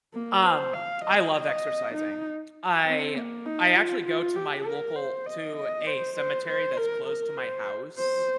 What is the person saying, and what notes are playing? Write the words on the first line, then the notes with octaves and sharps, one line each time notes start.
Um, I love exercising. I I actually go to my local to a cemetery that's close to my house.
A#3
C5
F5
D#5
D#5
D#4
C4
A#3
D#4
F4
F4
G4
A#4
C5
D#5
D#5
C5
C5
C5
A#4
A#4
C5
C5